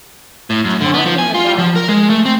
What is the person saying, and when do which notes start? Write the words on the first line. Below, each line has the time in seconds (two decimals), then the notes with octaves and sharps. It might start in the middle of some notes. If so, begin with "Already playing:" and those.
talking about
0.50 A2
0.64 F#2
0.81 D3
0.94 B3
1.06 F3
1.19 G#5
1.35 F4
1.58 F3
1.76 A#4
1.89 G#3
2.10 A3
2.25 C4